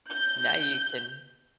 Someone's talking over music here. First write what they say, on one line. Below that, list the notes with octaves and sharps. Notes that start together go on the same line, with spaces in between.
Now you can
G6